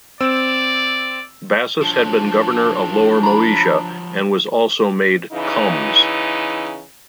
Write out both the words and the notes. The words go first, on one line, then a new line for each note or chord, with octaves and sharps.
Bassus had been Governor of Lower Moesia, and was also made "comes".
C4 D5 E6
F3 F#3 D4
A#5 B5
C#3 E3 D#4 E4